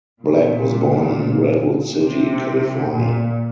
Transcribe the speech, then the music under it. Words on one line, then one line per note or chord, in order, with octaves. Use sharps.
Black was born in Redwood City, California.
A#2
C3
A#2